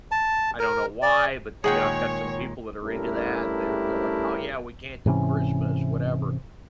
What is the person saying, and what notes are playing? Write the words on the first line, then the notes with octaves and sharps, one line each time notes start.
I don't know why, but, you know, I've got some people that are into that, they're they're like, "Oh yeah, we can't do Christmas," whatever,
A5
A#4
D5
A#2 D#3 G#3 G#4 C#5 F#5 G5
G2 A3 C#4 E4 G4 A#4
G#2 C3 E3 C#4